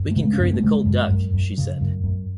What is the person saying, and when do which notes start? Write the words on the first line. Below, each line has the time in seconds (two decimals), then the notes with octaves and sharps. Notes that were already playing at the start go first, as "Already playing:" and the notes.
"We can curry the cold duck," she said.
Already playing: F#2
0.11 A3
0.16 C#3 G#3
0.33 C#4
0.40 F#2 B3
0.53 A3
0.63 C#3 G#3
0.86 F#2
1.10 F#2
1.34 F#2
1.58 C#3
1.81 F#2
2.04 F#2